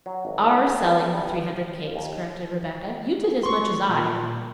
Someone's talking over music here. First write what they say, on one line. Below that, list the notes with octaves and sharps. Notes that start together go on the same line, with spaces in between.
"OUR selling the three hundred cakes," corrected Rebecca; "you did as much as I."
F#3
G#1
C#5
G#4
E2
A4
G3
B4
F5
D#2
C6 C#6
A#2